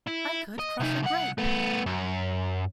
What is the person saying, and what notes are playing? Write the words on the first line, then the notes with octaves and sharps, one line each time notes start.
I could crush a grape!!.
E4
D#5
C3 D#4
C2 F#5
A3 B3
F#2